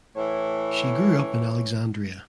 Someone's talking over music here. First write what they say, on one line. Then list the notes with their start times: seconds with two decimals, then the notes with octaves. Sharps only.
She grew up in Alexandria.
0.16 A2 E3 C#5